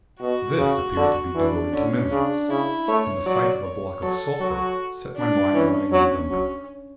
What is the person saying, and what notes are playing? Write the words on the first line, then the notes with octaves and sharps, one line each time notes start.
This appeared to be devoted to minerals, and the sight of a block of sulphur set my mind running on gunpowder.
B2 F#4
C#3
D3
E3 D4
D3 C#4
C#3 D4
C#3 E4
A3 C#5
F#3 D5
C#5
F#3 A4
F#3 F#4
D4
E3 C#4
F#3 C#4
F#3